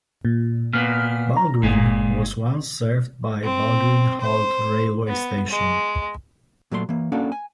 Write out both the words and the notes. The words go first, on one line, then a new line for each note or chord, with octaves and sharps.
Balgreen was once served by Balgreen Halt railway station.
A#2
A#2 B3 F6
A#5
G1 A#2 G#3
C4
C5
B3
G#3
A#2 F#3 A3 B4 C6
E3 A#3
A#3 C#4 D4 F#4 A4 F5
G#5